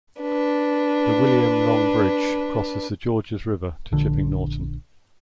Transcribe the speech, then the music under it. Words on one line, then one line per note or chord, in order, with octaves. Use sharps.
The William Long Bridge crosses the Georges River to Chipping Norton.
D4 B4
A#1 D3